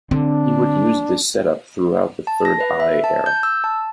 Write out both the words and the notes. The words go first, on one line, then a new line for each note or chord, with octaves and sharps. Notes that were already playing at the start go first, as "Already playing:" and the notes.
He would use this set up throughout the "Third Eye" era.
D3 C4 D4
A5
A#6
B4
E5
A5
G6
E6
A5